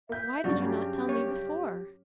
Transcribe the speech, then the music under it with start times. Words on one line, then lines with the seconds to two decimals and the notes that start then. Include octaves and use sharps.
Why did you not tell me before?'
0.09 A#3 E5 G6
0.44 G2 C#3 F#3 D4 F#4 D5
0.62 C#4 G4
1.09 C#5